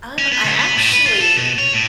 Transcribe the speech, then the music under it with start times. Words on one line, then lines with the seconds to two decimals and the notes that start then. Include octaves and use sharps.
Um, I actually
0.18 C#4
0.32 B3
0.45 C#2
0.59 B3
0.77 A2
0.92 B4
1.06 F4
1.20 A4
1.37 B2
1.58 C#5
1.73 A2